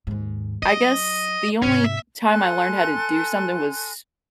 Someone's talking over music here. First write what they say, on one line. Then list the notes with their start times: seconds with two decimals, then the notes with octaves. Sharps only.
I guess the only time I learned how to do something was
0.07 D#2 G#2
0.63 F#3 D#5
1.62 G#2 C3 C#4
1.84 E5
2.29 A4 G#5 C6 F#6